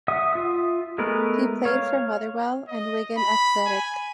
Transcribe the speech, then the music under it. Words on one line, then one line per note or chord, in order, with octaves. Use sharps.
He played for Motherwell and Wigan Athletic.
E5 F#5 D#6
F4 E5 D#6
G#3 A3 B3 A#4 B4
C#5 F5
D#5
B5
G#5